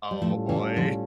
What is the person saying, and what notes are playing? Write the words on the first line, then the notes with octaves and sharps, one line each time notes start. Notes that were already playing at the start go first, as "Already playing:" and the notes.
Oh boy.
G3
A2 F3 G3 A3 C#4 F4 A4
C#3 E3
D3 F3